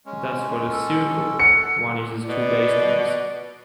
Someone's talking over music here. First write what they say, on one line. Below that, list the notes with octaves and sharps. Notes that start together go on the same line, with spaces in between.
Thus for the circle, one uses two base points.
G#3 C#4
A4
F#5 C#7
B2 D5